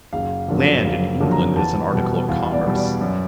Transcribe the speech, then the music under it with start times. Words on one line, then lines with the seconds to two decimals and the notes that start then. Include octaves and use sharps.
Land, in England, is an article of commerce.
0.13 F#1 F5
0.48 F2 D3 F#3 A#3
0.84 F#1 F5
1.20 F2 D3 F#3 A#3
1.32 A#5
1.56 E2 A5
1.92 B2 G3
2.28 E2 F5
2.53 D5
2.65 B2 G3
2.77 D5
3.01 F#2